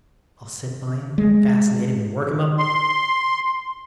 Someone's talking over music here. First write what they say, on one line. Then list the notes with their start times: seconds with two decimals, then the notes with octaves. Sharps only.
I'll sit by him, fascinate him and work him up.
1.18 G#3
2.58 C6